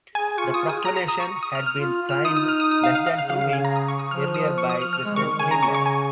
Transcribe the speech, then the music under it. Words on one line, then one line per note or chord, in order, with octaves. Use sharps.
The proclamation had been signed less than two weeks earlier by President Cleveland.
G#4 G#5
F4 C#6
F4 D#6
G#4 D#6
A#5
A#5
D#6
C#6
D#6
F6
F6
F4
F4
F6
D#4 D#6
D#6
F6
D#6
D#6
F5
F5
F5
C#3 F5
F5
F5
G#5
A#5
D#6
C#6
D#6
F3 F6
F6
D#6
C#6
D#6
F6
F6
G#3
D#3 C#6
C#3 G#5
C#3 A#5
C#6
C#6
G#5